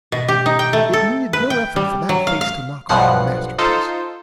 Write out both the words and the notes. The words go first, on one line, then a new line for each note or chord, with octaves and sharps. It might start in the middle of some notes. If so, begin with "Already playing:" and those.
It needed no effort for that face to knock off a masterpiece.
B2
G4
D#4
G5
A3
A4
B4
G5
G3
F#3
F5
F5
B1 G2 B2 F3 F#5 C7
D#4 F4 A4 C5